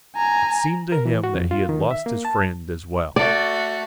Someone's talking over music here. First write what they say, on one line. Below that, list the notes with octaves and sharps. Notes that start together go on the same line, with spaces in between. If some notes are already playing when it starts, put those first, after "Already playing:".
It seemed to him that he had lost his friend as well.
G#5 A#5
A#4
E3
F#4
F2
F4
D#3
E5
A#3
A5
A3 F#4 D5